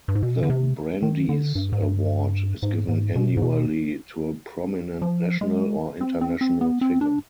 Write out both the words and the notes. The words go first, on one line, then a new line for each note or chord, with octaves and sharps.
The Brandeis Award is given annually to a prominent national or international figure.
G2
G#2
B2
D3
C3
D#3
D3
G2
G#2
G2
G#2
G#2
B2
G#2
B2
F3
G#3
C4
C4
C4
B3
C4
D4